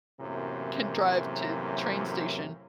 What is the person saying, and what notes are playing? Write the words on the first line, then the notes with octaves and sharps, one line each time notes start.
can drive to the train station
F#2 A2 C3 E3 F#3 A#3